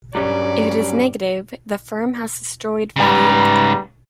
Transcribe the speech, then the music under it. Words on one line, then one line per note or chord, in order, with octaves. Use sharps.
If it is negative, the firm has destroyed value.
G2 F#3 G3 C#4 D5
G#2 C#3 G3 B4 A#5